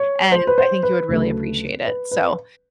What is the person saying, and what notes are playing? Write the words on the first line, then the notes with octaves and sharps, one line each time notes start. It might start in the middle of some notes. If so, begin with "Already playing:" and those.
and I think you would really appreciate it. So,
Already playing: C#5
C5
B4
C5
B4
D2 C#3 F#3 A3
B4
B4